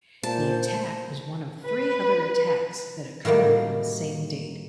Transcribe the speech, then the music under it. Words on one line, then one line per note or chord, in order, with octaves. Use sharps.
The attack was one of three other attacks that occurred on the same date.
A#2 C5 A5
B4
A2 D#3 F#3 G3 A#3